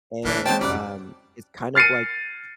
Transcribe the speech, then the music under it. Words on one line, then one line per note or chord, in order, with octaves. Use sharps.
and, um, it's kind of like
C#3 E3 A#3 D4 F6
E2 G#3 C4 C5 C#5 G5 A5
F1 F#2 G3 D5 F#6
F6 A6 C7 C#7 D#7